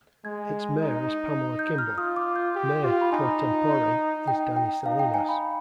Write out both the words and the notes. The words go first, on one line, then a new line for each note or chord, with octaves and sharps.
Its Mayor is Pamela Kimball, Mayor Pro Tempore is Danny Salinas.
G#3 G#6
D#4
G6
F6
F4 D#6
D6
G6
G4
F4
B5
D#4 G#5
D#4 G5
G5
D#4 F5
G5
G#5
B5